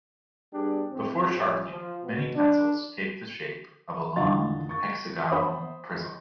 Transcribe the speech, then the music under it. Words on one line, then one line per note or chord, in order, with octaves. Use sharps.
Before sharpening, many pencils take the shape of a long hexagonal prism.
G3 B3 D4 G4 G#4
G#2 E3 C4
A1 F3 G3 C#4 F4
F3
B2
D4
E2 D3 D#3 F4 D#5 A6
C#6 A6
C5 B5 D#6